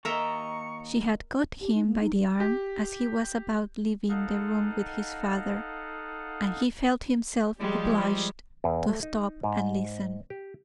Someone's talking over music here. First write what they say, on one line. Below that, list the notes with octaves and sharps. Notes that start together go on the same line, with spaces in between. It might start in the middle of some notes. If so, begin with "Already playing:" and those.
She had caught him by the arm as he was about leaving the room with his father, and he felt himself obliged to stop and listen.
D#2 A#4 D#5 E5 A#5 C#6
G4
D#4
A#3
D#4
G3
G4
D#4 A4 D#5 F5 F#5
F3 G3 G#3 G4
G3
E2
A3
D#4
G#2
G4